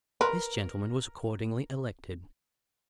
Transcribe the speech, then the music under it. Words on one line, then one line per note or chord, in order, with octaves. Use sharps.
This gentleman was accordingly elected.
A#4 B4